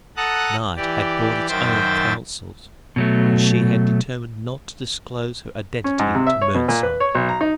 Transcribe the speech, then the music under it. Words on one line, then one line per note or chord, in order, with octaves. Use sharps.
Night had brought its own counsels, and she had determined not to disclose her identity to Mernside.
A4 F#5 A5 A#5 D#6 F#6
E3 G4 D5
F#2 D#3 C5 E5 G5 A6
B2 F#3 A3
C#4
G#2
C3
E5
C#5
B2
A#2
B4
C#5
B1
A#5
D#4